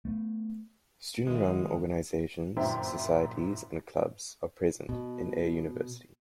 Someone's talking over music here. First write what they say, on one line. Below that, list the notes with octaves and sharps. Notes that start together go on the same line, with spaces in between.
Student run organizations, societies, and clubs are present in Air University.
A3 B3
D#3 G#3 E4 F#4
G1 F#2 A#2 E4 C5 G5
B2